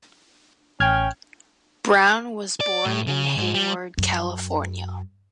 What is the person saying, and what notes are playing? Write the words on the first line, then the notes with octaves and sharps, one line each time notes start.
Brown was born in Hayward, California.
A1 C#4 G5 F6 G#6
D5
A2
C#3
G#2
G3
F#2